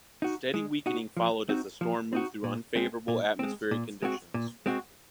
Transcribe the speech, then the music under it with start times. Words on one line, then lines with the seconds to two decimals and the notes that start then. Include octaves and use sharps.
Steady weakening followed as the storm moved through unfavorable atmospheric conditions.
0.22 D#4 F#4
0.54 G#3
0.86 D#4 F#4
1.17 F3
1.49 C4 D#4 F#4
1.81 F3
2.13 C4 D#4 F#4
2.44 A#2
2.75 G#3 C4
3.08 A#2
3.39 G#3 C4
3.71 A#2
4.02 G#3 C4 F#4
4.34 A#2
4.66 G#3 C4 F#4